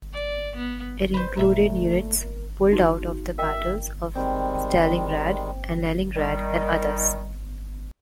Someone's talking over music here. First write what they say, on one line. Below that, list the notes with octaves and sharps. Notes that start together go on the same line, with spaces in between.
It included units pulled out of the battles of Stalingrad and Leningrad and others.
D5
B3
B4 C5
A#2 A3 E5
A#4
D#4 F#4 G#4
A#4 D#5 E5 G5
D#3 G3 G#3 C4
D#3 G3